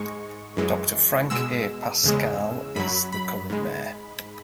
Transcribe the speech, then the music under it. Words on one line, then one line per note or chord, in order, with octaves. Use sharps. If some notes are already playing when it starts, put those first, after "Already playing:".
Doctor Frank A. Pasquale is the current mayor.
Already playing: G#2 G#3 C#6
F#2 E3 G#3
B2 G#3 E6
E2 C#3 G#3
F#2 F#3 B5
B5
G#2 G#3